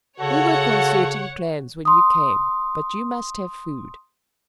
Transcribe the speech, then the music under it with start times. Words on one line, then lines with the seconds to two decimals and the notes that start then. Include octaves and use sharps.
"We were concerting plans when you came; but you must have food."
0.20 C#3 F#4 A4 C#5 F#5
1.85 C6 D#6